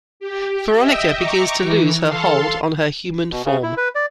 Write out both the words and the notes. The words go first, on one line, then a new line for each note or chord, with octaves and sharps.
Veronica begins to lose her hold on her human form.
G4
D#5 E5 G5
A#5 C#6 D6
E3
A4 F5 A5 C6
B2
C#3
E4
B4
D5